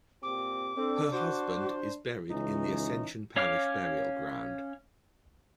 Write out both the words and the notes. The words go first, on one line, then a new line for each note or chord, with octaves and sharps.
Her husband is buried in the Ascension Parish Burial Ground.
A#2 C4 G4 D6
C4 D4 A4
F#4 C5
C#2 E3 C#4 D#4
C#4 C#5 F5 D6 F6